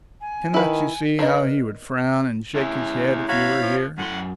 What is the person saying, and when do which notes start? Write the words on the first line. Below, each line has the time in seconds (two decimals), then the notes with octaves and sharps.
Cannot you see how he would frown and shake his head if you were here?
0.21 G#5
0.54 D#3 E4 B4
1.19 D4 A#4 B4 D#5
2.55 E2 C#4 E4
3.29 F#3 C#5 F5 B5
3.62 F3
3.98 F#2 A2 F#5 C6